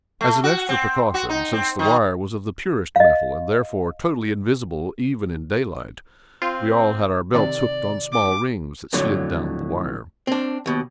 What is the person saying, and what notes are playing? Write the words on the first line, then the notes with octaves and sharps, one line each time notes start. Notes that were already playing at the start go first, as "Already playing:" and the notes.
As an extra precaution, since the wire was of the purest metal, and therefore totally invisible, even in daylight, we all had our belts hooked on small rings that slid down the wire.
A3
F#4
C4
F#4
D#4
C4
D#3
D#5 F5
C4 F4
C3 D#3 D5
D6
F2 A2 D3 F#3
C4 D4
D#2 B2